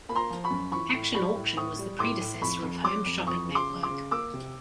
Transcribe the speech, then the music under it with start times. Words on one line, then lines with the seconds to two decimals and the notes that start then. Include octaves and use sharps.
"Action Auction" was the predecessor of Home Shopping Network.
0.09 A#3 B5
0.15 A#5 C6
0.30 F3
0.44 B5 C#6
0.50 F#2
0.72 E3 B5 C#6
0.94 A2
1.14 G3 B5 C#6
1.35 A2
1.57 A2 C#6 D#6
1.79 G3
1.99 A2 C6 D6
2.21 A2
2.42 F2 B5 C#6
2.63 F2
2.84 F#3 C6 D6
3.06 F2
3.27 F2 C#6 D#6
3.49 C#3
3.55 C6 D6
3.70 C#3
3.83 C6 D6
3.90 C#3
4.11 A#3 D6 E6
4.34 C3